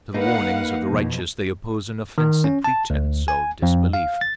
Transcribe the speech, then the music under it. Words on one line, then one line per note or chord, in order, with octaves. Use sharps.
To the warnings of the righteous they oppose an offensive pretence of disbelief.
A#3 D#4 B4 F5 F#5
F2 B2
D#3
C#4
A5
D2
G#5
F2
F5
A6